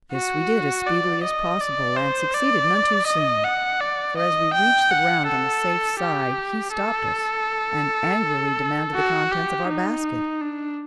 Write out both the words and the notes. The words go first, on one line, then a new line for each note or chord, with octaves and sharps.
This we did as speedily as possible, and succeeded none too soon; for as we reached the ground on the safe side, he stopped us, and angrily demanded the contents of our basket.
F#4
D5
D#5
D5
C5
D5
D#5
F#5
D5
D#5
G5
F#5
A4
G4
A4
F#4
G4
D#4
D4